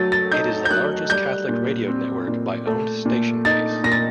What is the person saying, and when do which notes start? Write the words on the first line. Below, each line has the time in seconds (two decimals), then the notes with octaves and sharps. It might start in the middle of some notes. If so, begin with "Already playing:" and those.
It is the largest Catholic radio network by owned station base.
Already playing: F#3 A3 A6
0.12 A6
0.32 D#4 G6
0.65 G6
0.71 F#3 F#6
1.10 G3 G6
1.49 A#2
1.88 C4
2.28 A#2
2.67 A3
3.06 A#2
3.45 D#4 A6
3.84 A#2 A#6
3.92 A6